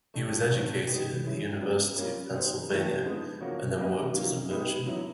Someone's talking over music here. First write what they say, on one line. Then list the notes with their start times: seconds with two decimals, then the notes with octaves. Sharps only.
He was educated at the University of Pennsylvania, and then worked as a merchant.
0.14 A3 D4 G4
0.50 D#3 F#3 A3 C4
0.87 B2 G#3 B3 D#4 G4
1.23 E3 G#3 C#4 E4
1.60 C#3 F#3 B3 D4
1.96 G3 A#3 C#4 F4 A#4
2.32 B3 D#4 G4 C5
2.68 C#3 E3 A3 D4 G4
3.05 D3 F3 G#3 B3 D#4
3.41 C#3 F3 A#3 C#4 F#4
3.77 A#3 D4 G4 B4 D#5
4.14 D#3 F#3 A#3 C#4 F4
4.50 G#3 B3 D#4 G4 B4
4.86 D3 F#3 B3 E4